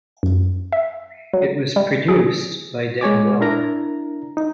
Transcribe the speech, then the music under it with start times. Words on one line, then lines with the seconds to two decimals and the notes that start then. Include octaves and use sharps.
It was produced by Dan Weller.
0.23 F#2
0.72 E5
1.34 F#3
1.76 G3
2.08 G#4
3.01 G#3 C#5 G#5 D6
3.41 D4 E4 A#4 A#5
4.37 D#4